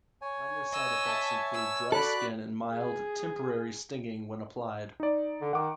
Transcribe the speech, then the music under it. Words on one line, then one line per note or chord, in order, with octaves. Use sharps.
Minor side effects include dry skin and mild, temporary stinging when applied.
C#5 G#5
D#5 E6
E5 A5
E6
F#4 A4 D5 B5 F#6
G#4
D#4 D5
D3
D#3 F#5 D6